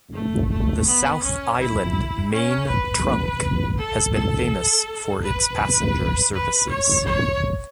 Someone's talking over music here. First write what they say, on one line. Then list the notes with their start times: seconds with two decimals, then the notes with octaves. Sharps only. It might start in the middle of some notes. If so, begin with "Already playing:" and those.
The South Island Main Trunk has been famous for its passenger services.
0.13 A3
0.50 A3
0.86 B3
1.22 C#4
1.59 E4
2.32 C#4
2.68 B4
3.78 A4
4.14 A4
5.23 B4
6.33 B4
6.69 C#5
7.05 C#5